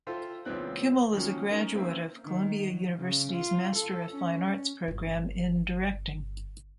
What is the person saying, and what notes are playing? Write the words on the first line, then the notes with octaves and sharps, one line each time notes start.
Kimmel is a graduate of Columbia University's Master of Fine Arts program in Directing.
F4 A4 C5 E5 G5
C#2 A#2 E3 B3 C4 F#6
D#3 F3 F#3 A#3 C#4
C#4 D#4 A#4
A#3 C4 C#4 A#4 E5
D#3
F#3
C#3
F4
A4
C#4
G1 F4